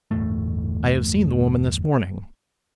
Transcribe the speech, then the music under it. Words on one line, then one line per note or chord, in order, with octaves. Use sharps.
'I have seen the woman, this morning.
G1 E2 A2 A3